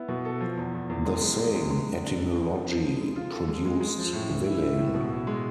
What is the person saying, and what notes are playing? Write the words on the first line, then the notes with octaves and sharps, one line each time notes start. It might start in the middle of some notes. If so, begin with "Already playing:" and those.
The same etymology produced villein.
Already playing: B3 E4
B2
A4
F3
E2
E2
E2
G#3
G#3
G#3
G#3
G#3
G#3
D4
G#3
F2
F3
F3
F2
G#3
F4
A4
G#3
G#3
G#3
F3
A2
E3
E4
E4
A2
B2
E4
G#3